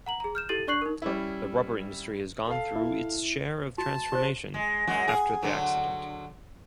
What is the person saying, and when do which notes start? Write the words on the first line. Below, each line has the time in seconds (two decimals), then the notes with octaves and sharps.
The rubber industry has gone through its share of transformation after the accident.
0.06 F#5 A#5 F#7
0.20 G#4 A#5
0.35 F6 G6 E7
0.49 E4 G4 A4 A6 D#7 F#7
0.68 D4 D5 C#6 F#6 C7 F#7
0.82 D#4 A#4
1.02 G3 C#4 E4
2.48 A4 F5
2.76 E4
3.78 F#4 A5
4.12 G4 C5
4.54 G#3
4.87 F#2 G#3 F#4
5.07 G#4
5.43 D3 F#3